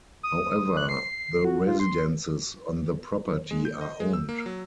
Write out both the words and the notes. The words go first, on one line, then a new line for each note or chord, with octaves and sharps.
However, the residences on the property are owned.
D#6
D#6
F#6
C7
F#4
F4
C6
G#3
G6
D#5
G#3
E6
A#3
F#3